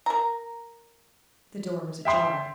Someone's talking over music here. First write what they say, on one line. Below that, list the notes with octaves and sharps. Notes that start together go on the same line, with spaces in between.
The door was ajar.
A#4 A#5
E5 G5 C6